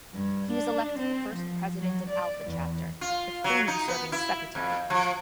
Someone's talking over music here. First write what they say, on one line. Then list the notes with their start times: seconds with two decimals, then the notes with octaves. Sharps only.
He was elected the first president of Alpha Chapter, with Freeman serving as secretary.
0.14 G2
0.51 D4
0.99 C4
1.35 F3
1.78 F#3
2.10 D5
2.45 E2
3.01 F4
3.44 F#3
3.68 D#4
3.88 B3
4.12 E4
4.55 F2
4.90 F3